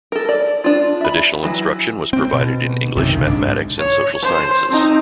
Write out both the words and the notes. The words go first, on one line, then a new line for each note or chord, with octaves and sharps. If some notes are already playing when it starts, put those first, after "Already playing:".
Additional instruction was provided in English, mathematics, and social sciences.
A4 A#4
D5
D4 F4
E5 B5
E3 F#3
C4
B2
A#1 F#2 C3 D#3
C#2 C#3
B1 G#2 D4
C#5
C5
C4 D#4